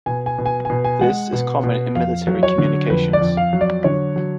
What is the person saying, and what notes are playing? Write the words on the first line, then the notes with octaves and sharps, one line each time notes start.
This is common in military communications.
B2 G#5
G#5
B2
G#5
B2 G#5
G#5
G#3 F#5
B2
B2
F2 F5
F#3
C#5
D3
F2 B4
D5
F2
F5
F#3
D5
D3 C#5
F#3